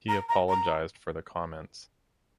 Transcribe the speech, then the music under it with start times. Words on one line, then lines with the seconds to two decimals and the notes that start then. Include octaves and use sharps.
He apologized for the comments.
0.08 A#5
0.29 A#5
0.49 A#5